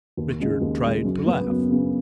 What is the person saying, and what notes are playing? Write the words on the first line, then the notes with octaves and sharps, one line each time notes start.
Richard tried to laugh.
D#2
C#3 G#3
D#2
C#3 G#3
F#2
C#3 B3
F#2
C#3 B3